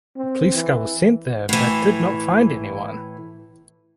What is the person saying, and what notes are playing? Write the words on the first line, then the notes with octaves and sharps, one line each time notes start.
A police car was sent there but did not find anyone.
C4
E3
A2 E3